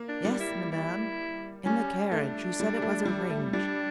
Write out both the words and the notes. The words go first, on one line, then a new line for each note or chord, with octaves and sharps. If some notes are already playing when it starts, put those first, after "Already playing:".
"Yes, madame, in the carriage; she said it was arranged."
Already playing: A#3
D4
G3
E4
E4
G3 C#4
A3 D4
G3
A3
G3
A3
G3 D4